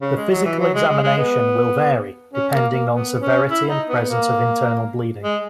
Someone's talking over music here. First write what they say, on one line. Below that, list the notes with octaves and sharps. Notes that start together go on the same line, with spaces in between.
The physical examination will vary depending on severity and presence of internal bleeding.
C#3
G#3
F#3
E3
F#3
G#3
G#3
G#3
B3
C#4
A#3
A#3
B3
C#4
E4
D#4
B3
A#3
G#3